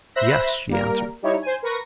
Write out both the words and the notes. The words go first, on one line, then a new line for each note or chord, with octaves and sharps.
"Yes," she answered.
C5 E5 B5 E6 F#6 A#6
G3 A#3 A#4
G3 D#4 E4 C#5
C5 G#5
A#4 B4 C#6 A#6